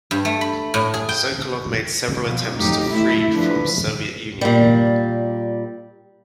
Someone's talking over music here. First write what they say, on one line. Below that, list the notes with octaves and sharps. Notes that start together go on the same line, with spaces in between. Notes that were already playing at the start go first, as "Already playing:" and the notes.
Sokolov made several attempts to flee from Soviet Union.
G2
A3
B5
A2
G#4
G5
B2 F3 F#3
F2 A2 F#3 D#4 G4
A3 E4
D3 F3 B4
A#2 G3